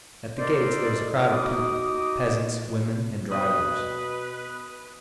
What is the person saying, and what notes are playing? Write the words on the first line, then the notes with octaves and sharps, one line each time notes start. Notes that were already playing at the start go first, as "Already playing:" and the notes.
At the gates there was a crowd of people, peasants, women and drivers.
D4 D#4 A4 A#4 C5 D5
D#4 F#4 D6 D#6
B2 B4 D#5